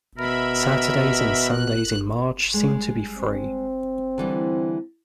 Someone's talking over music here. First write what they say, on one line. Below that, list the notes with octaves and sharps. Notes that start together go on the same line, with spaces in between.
Saturdays and Sundays in March seem to be free.
B2 A#4 E5 B5
F#6
G3 G#3
C4
D3 E3 G3